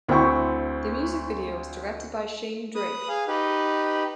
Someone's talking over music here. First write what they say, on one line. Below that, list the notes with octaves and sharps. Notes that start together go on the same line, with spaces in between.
The music video was directed by Shane Drake.
D2 C4 E4 G5 C#6
B4 D#6
G#4 F5
D#4 G4 B4